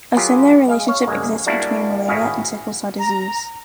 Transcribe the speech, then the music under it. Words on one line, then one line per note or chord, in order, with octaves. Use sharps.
A similar relationship exists between malaria and sickle-cell disease.
F#3 F4 G4 G#4 A#4 B4
G#3 F5 G#5
C#5 F5
C2 F#2 D3 G#3 A#3
G3 G#3 A#3 D4 E4 F#4
G#1 A2 E4 F#4 G#4 F5
A#5